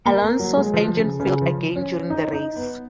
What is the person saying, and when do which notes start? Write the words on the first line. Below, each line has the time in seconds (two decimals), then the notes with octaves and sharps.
Alonso's engine failed again during the race.
0.06 A#3
0.22 A#3
0.39 F#3
0.57 G#3
0.74 F3
0.97 C#3
1.20 C#3
1.42 F3
1.76 C#4
2.10 D#4
2.33 D#4
2.56 B3